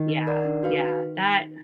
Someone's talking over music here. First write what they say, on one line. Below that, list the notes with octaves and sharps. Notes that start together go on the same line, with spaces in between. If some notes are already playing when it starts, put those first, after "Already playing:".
Yeah, yeah, that
Already playing: D#3
D#4
A#4 D5 F#5
D4
F#4 B4 F5